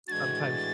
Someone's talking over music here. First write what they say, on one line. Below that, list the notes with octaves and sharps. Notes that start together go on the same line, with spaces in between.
sometimes, you
A2 E3 G#3 D4 F#4 G#6 A6
A6